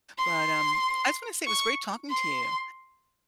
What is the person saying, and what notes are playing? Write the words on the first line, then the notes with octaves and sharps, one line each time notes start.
But, um, I just wanna say it was great talking to you,
C6
C#6
C6